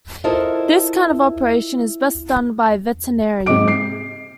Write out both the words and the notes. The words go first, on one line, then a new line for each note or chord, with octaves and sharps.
This kind of operation is best done by a veterinarian.
E4 F4 A4 A#4 C5 D#5
G#2 C3 C4 D#5 D6 D7
C7